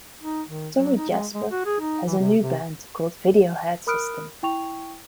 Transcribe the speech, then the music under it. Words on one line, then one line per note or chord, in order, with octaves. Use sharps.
Torry Jasper has a new band called "Video Head System".
D#4
D#3
F#3
D#4
G#3
G#3
F#4
G#4
D#4
E3
C3
C3
A#4 B5 D#6 F6 F#6 D7
E4 G5 C#6 F7